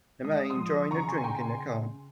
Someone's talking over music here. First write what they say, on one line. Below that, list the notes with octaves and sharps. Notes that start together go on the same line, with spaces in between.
A man enjoying a drink in a cup.
G#3 D#6
C6 D#6
F3
C#3 A#5 C#6
G#5 C6
G#5
G5 A#5
G#5 C6